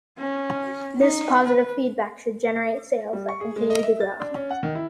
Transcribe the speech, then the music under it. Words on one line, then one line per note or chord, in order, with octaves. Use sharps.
This positive feedback should generate sales that continue to grow.
C#4
D#4
B4
G3
C#6
G#4
G#3
D#5
E5
A6
D4
C#4
F#5
D#3
E4